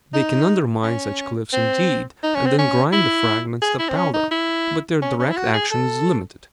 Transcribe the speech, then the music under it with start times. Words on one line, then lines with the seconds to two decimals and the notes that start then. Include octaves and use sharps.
They can undermine such cliffs indeed, and then grind the fragments to powder, but their direct action is limited.
0.14 D#4
0.83 C#4
1.53 C4
2.23 D#4
2.35 C#4
2.46 C4
2.58 C#4
2.93 E4
3.62 G#4
3.79 E4
3.89 C4
3.96 C#4
4.14 D#4
4.31 E4
5.02 C#4
5.19 C#4
5.30 E4
5.37 F#4
5.54 G#4
5.71 A4